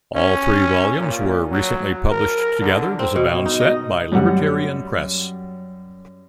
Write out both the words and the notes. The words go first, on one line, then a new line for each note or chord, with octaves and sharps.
All three volumes were recently published together as a bound set by Libertarian Press.
C#4
A#2
F#3
A#4
D3
C4
B2
D#4
D#5
F#2 G3 F#5